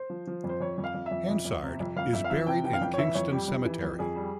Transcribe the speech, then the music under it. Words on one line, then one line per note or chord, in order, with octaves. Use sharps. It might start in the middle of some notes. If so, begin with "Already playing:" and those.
Hansard is buried in Kingston Cemetery.
Already playing: C5
F3
F3
F2
C5
F2 C#5
F2
F5
F2
E5
F2
F2
F2
C3
F2
F2 F5
F2 E5
F5
F3 E5
C3 G5
E3 G5
F5
F2 G5
C#5
E3 E5
F2 C#5
G3 G4
F2
E3
F2
F2 G#4
G3